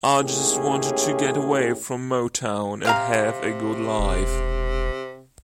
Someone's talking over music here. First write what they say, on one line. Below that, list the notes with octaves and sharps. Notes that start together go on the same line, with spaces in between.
I just wanted to get away from Motown and have a good life.
D#2 A2 C#4 G4 G#4
C3 C4 F5 A#5
E1